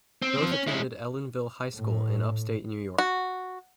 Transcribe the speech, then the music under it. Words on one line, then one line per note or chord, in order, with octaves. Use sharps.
Both attended Ellenville High School in upstate New York.
C4
F3 C4
C#4
G#3 E4
A2
F#4